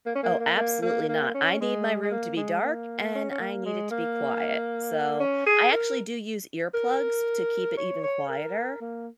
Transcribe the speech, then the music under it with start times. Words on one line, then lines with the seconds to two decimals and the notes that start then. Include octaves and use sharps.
Oh, absolutely not. I need my room to be dark, and I need it to be quiet. So, I actually do use earplugs to keep it even quieter.
0.05 A#3
0.15 C#4
0.23 A#3
0.39 A#3
0.57 A#3
0.82 A#3
1.08 A#3
1.34 C#4
1.60 G#3
2.02 G#3
2.11 A#3
2.36 G#3
2.62 A#3
3.15 C#4
3.31 C#4
3.40 A#3
3.65 G#3
3.91 A#3
5.20 C#4
5.46 G#4
5.72 A#4
6.74 A#4
7.77 C#5
8.03 C#5
8.28 A#4
8.81 A#3